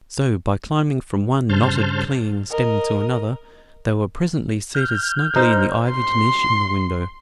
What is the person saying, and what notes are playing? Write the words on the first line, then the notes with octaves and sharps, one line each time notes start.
So, by climbing from one knotted, clinging stem to another, they were presently seated snugly in the ivied niche in the window.
G2 C#3 C5 A5 F6 G6
A#4 D#5
F6 G6
D#4 C5
C6